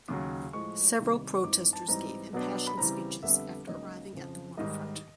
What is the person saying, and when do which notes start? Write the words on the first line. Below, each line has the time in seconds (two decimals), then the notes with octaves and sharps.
Several protesters gave impassioned speeches after arriving at the waterfront.
0.08 D#2 C#3 F#3
0.53 A2 F3 G#3 C#6
0.99 C2 C3 D#3 G3
1.43 G2 E3 G#3 C4 D#4 D6
1.73 A5
1.88 G#2 E3 G3 C4 D#4 A#5
2.33 B2 F#3 B3 D4
2.67 B5
2.78 C#3 E3 G3 C4 A#5
3.23 F2 D3 G3 B3 D4 E5
3.68 C#2 C#3 F#3 A#3 D#4 D#5
4.12 F2 C#3 F3
4.57 G#2 D#3 G3 D#5